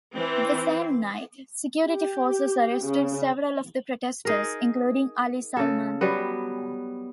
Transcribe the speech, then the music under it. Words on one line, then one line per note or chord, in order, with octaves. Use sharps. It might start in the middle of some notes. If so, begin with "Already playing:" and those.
The same night, security forces arrested several of the protesters, including Ali Salman.
E3 C4
G4
C#3
D#4 G#4 A#4
C#3 A4
F#3 G3 B3